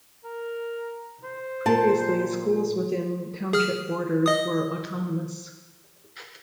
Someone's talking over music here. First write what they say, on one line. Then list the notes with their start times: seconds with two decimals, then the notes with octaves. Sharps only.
Previously, schools within township borders were autonomous.
0.24 A#4
1.24 C5
1.66 A#2 A5
3.53 G#4 F6
4.26 D#5 D#6